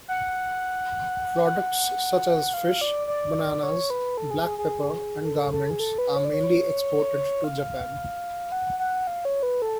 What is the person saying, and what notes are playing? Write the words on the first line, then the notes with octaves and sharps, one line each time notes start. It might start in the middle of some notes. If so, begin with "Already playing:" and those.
Products such as fish, bananas, black pepper, and garments are mainly exported to Japan.
F#5
F#5
F5
D5
D5
C#5
B4
A4
G#4
G#4
G#4
A4
A4
G#4
A4
B4
C#5
D5
C#5
F5
F#5
F#5
F5
C#5
B4
A4